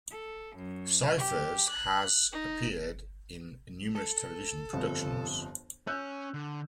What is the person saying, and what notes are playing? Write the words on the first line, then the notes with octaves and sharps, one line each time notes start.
Cyphers has appeared in numerous television productions.
A4
F#2
G4
F#6
D#4
A4
G1 F2
C#4 E6 F#6 G6
D3